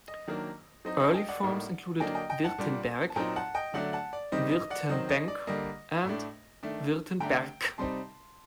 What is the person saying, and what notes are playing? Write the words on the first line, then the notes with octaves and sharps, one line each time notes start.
Early forms included "Wirtenberg", "Wirtembenc" and "Wirtenberc".
D#5
D#3 F#3 A#3 D4
F#3 C4 D#4 D#5
D#5
A5
D#5 G5
D5 F#5
A2 G3 A#3 D#4
D3 F#3 A#3 D4 D#5 G5
D#5 G5
D#5 G5
F#5 A5
A#2 G3 D4
A5
A#2 F#3 C4 D#4 G5 A#5
F#5 A5
D#5 G5
D3 F#3 A3 D4 D5 F#5
F#5 A5
D5
C3 D#3 G3 C4 D#4 D#5
D#5
D5 F#5
D#3 F#3 C4 D#5
D#5
D5
D3 G3 A#3 D#5
A2 A3 D4
D#3 A3 D4
D3 A3 D4 G5 A#5
C3 G3 C4 D#4 A5 C6